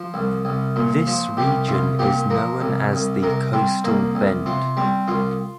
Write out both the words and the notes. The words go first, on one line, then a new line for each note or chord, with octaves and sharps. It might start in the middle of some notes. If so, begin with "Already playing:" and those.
This region is known as the Coastal Bend.
Already playing: F3
C2
C2
A#2
F3
C2 G4
C2 F4
A#2 G4
F3 A#4
C2
C2
C3 A#4
G3 C4
C2 A#3
C2
C3 F4
G3 C4
C2 F4